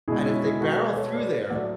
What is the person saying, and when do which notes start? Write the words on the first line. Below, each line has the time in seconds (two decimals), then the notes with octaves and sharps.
and if they barrel through there,
0.08 B2 G#3 E4 G#4
0.25 C#4 E4
0.43 E4 G#4
0.61 F#4 A4
0.78 G#4 B4
0.97 A4 C#5
1.14 B4 D5
1.49 A2 F#3 A3 D5 F#5